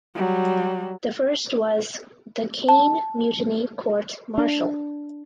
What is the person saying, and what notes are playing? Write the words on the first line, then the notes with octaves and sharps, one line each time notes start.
The first was "The Caine Mutiny Court Martial".
F#3 G3
A5
D4